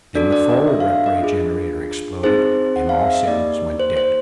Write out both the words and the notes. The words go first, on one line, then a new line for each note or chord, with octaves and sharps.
Then the forward rep-ray generator exploded, and all signals went dead.
D4 F#4 A4 D5
D5
D#5
E5
F5
E5
D#5
D4 F4 G#4
C4 D#4 G#4 C5
F#5
F5
E5
D#5
A#3 D#4 G4 D5
C5
C5